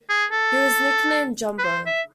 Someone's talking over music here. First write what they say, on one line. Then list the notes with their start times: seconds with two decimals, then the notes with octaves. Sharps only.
He was nicknamed "Jumbo".
0.10 G#4
0.32 A4
1.59 B4
1.64 C5
1.86 E5